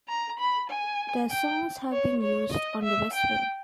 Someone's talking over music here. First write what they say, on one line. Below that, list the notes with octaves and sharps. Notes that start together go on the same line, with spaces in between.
Their songs have been used on "The West Wing".
A#5
B5
G#5
G5
C#5
C#5
D#5
E5
G5